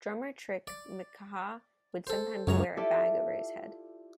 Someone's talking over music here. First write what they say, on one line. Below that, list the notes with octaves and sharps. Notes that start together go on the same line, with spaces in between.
Drummer Trick McKaha would sometimes wear a bag over his head.
D5
A4 C5
C#2 F#2 C#5 A#5
E4 F4 G4 A4 D5 E5